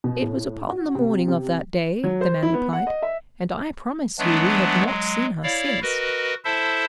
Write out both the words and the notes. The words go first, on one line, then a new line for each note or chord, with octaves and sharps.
"It was upon the morning of that day," the man replied; "and I promise you, we have not seen her since."
B2
A2
F#4
C3
C3
F#3
C5
E4
B3
F#5
D#5
E5
E3 F#3 G#3 A3 B3 D4
F#3 G#3
E4 C#5 D5 F5
F#4 A#4 B4 D#5
E4 A4 C5 E5 A5